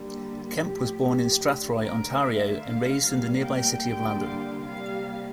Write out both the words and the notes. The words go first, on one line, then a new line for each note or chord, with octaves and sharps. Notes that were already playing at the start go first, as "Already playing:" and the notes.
Kemp was born in Strathroy, Ontario and raised in the nearby city of London.
Already playing: D3 G3 A#3
A2 F3 A3 G4
G4
D3 A3
A#4
D3 A3 E5
F5
A2 G3 A#3
G5
D3 G3 A#3
F5
C3 G3 A#3 F5